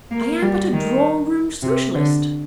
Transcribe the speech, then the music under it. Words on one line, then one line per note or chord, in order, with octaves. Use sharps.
I am but a drawing-room Socialist.
A#3
G3
D#3
C3
D3